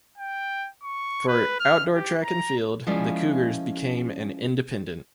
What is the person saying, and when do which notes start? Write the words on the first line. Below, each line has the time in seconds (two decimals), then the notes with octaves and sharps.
For outdoor track and field, the Cougars became an Independent.
0.18 G5
0.83 C#6
1.28 B4
1.60 F6
1.95 G4
2.24 A#5
2.87 F3 G#3 C#4 E4 F4 D5